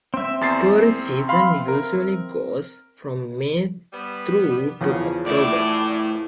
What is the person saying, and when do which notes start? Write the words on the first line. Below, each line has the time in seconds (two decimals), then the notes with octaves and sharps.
Tourist season usually goes from May through to October.
0.14 C4 E5
0.41 E2 A6 C7
1.29 F5 B5 C6
1.68 A#4
3.93 G3 B3
4.81 E2 C#3 F3
5.26 A2 E4 D5